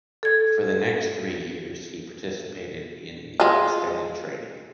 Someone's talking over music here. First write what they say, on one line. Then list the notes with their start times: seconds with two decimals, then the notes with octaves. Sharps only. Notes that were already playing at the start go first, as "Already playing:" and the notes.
For the next three years he participated in the extended training.
0.23 A4 G#6
3.40 G#3 F4